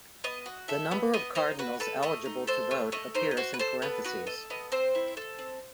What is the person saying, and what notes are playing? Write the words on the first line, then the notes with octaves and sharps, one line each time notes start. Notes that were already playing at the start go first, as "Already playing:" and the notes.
The number of cardinals eligible to vote appears in parentheses.
B3 D#5
F#4
A4 E5
B3
B3 D#5
D#4 C5
F#4 B4
A4 B4
A3 D#5
D#4
A4 C5
A3
A3 D#5
D#4 C5
D#5
F#4 C5
B4
A4 C5
B3 B4
F#4 B4
A4 D#5
B3 D#5
C4 C5
E4
A4
C4